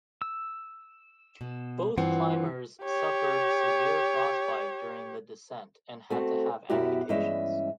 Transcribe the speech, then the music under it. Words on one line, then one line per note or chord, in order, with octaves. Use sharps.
Both climbers suffered severe frostbite during the descent and had to have amputations.
E6
B2
G2 E3 C4 F4 F#5
G4 C#5
A3 C4 F#4
F#2 B2 E4 F#4 G4
G2 E3 G#3 C#4 D#5 E5